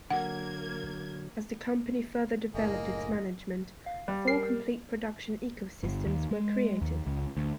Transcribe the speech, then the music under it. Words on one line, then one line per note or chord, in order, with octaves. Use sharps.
As the company further developed its management, four complete production ecosystems were created.
D3 F#3 A#3 F#5 G#6
F#1 A2 A#3 G#4 D#5
F5
G3
A#4 C7
G1
D#2
G#3
D#2
C#2
D2